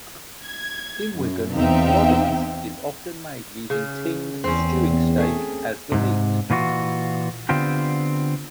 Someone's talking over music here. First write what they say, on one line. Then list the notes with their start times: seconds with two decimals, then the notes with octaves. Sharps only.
In Wigan "lobbies" is often made using tinned stewing steak as the meat.
0.44 G#6
1.16 F#2
1.55 E2 C4 D#4 E5 F5 G5
3.70 C#3
4.44 E2 C4 C#4
5.18 A3 G#4
5.92 G#2 C3
6.50 A#2 E3 F4 F#4
7.49 D3 B3 C4 F4 G4